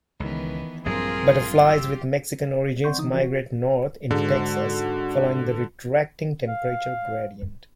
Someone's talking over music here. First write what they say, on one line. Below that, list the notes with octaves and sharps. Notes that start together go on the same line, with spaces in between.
Butterflies with Mexican origins migrate north into Texas, following the retracting temperature gradient.
C#2 D#3 E3 B3
A#1 G2 F#3 C4 F4 G#4 A#4
G4 E6
C4 D5 F#5 C6 C#6 G6
D3 E3 D#4 D#6
E3 F3 C#4 F#4 A#4 D5
F#4
G#2 D3 F#4
F5